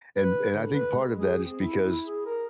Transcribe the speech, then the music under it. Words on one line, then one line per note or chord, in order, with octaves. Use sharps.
and and I think part of that is because
B4
D3
B4
G#3
G#4
C4
E4
E4
G#4
A#4